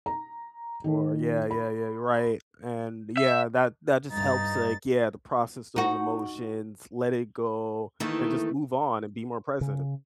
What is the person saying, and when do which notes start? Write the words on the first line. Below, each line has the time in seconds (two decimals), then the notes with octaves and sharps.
Or yeah yeah yeah, you're right, and, yeah that that just helps, like, yeah to process those emotions, let it go, and just move on, and be more present.
0.06 A#5
0.84 D#3
1.51 B5
3.17 E5
4.11 G2 D#4 A6
5.76 D#4 F#4
8.00 D#3 E3 A3 A#3 D#4 E4
9.61 C#3